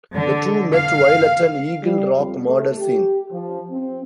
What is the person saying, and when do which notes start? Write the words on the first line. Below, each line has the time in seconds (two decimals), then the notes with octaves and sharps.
The two met while at an Eagle Rock murder scene.
0.14 D3
0.73 F5
1.81 G3
2.15 F2
2.44 A3
2.77 G4
3.31 F3
3.70 C4